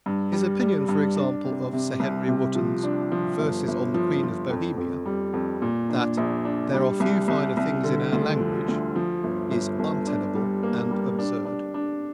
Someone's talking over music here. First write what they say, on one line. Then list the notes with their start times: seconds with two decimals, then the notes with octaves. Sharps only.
His opinion, for example, of Sir Henry Wotton's "Verses on the Queen of Bohemia"-that "there are few finer things in our language," is untenable and absurd.
0.06 G2
0.33 G3
0.61 G3
0.89 G2
1.16 D4
1.44 C3
1.73 C3
2.00 C2
2.28 C3
2.55 F3
2.83 D4
3.12 F3
3.39 G1
3.68 G1
3.94 F3
4.23 F3
4.50 F2
4.78 F2
5.06 G3
5.33 F2
5.62 A#2
5.90 D4
6.17 A#1
6.45 D4
6.74 G3
7.00 C2
7.28 C2
7.57 C2
7.84 D3
8.13 D2
8.39 F3
8.68 D2
8.96 F3
9.23 G1
9.51 G1
9.79 G1
10.07 D4
10.35 G3
10.63 A#3
10.91 G3
11.19 D4
11.45 D4
11.74 D4